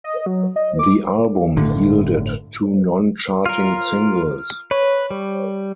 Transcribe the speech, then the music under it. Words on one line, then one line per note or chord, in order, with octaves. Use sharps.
The album yielded two non-charting singles.
D#5
F#3
D#5
D6
G1 A2 D3
F4 A#4 F6
B4 C#5
G3